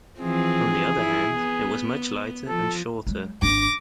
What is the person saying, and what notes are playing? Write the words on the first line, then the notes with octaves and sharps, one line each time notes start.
On the other hand, it was much lighter and shorter.
E3 F3 C4 G#4
E4
B3
F3 A4
F#3 G#3
G#1 D4 D6 A#6